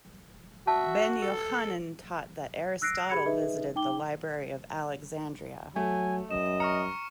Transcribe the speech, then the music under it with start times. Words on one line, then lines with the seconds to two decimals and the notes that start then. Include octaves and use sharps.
Ben-Jochannan taught that Aristotle visited the Library of Alexandria.
0.67 F#4 E5 A5
1.22 A4
2.82 E6 F#6 A#6 C7 D7
3.10 G4 G#4 B5 G#6 C#7
3.25 D#4 G#4 B4 D#5 E5
3.76 D#4 G5 D6 G7
5.76 F#3 A3 G#5
6.31 F#2 D#5 E7
6.60 A#5 C#6 F6 C#7